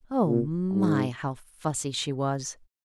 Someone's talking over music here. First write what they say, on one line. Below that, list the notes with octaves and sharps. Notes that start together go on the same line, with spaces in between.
Oh my, how fussy she was!
A#2
G#2